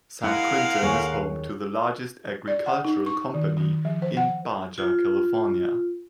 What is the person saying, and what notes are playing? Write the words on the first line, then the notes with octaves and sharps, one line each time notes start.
San Quintin is home to the largest agricultural company in Baja California.
G#3 E4 A#4 F5 F#5
D#2 G#4 C#5
D5
F#5
D#4
C#6
D#3
D#3
F3
C5
F#5
F4